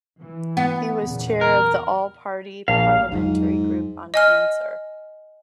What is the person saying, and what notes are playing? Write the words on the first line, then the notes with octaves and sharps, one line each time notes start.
He was chair of the All Party Parliamentary Group on Cancer.
E3
B3
E2 A#2 C#3
A#4
A#1 F5
F2 G#2 F#3
D#5 G#5 F6